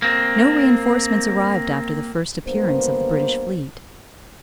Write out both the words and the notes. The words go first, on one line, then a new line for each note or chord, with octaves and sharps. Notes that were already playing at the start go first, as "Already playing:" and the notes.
No reinforcements arrived after the first appearance of the British fleet.
A#3 C4
G2 A#3 B3 C5